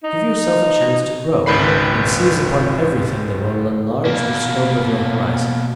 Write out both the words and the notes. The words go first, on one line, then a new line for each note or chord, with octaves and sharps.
Give yourself a chance to grow and seize upon everything that will enlarge the scope of your horizon.
D#4
G#1 C#2 D#3 B4 B5 C7
B2 A#3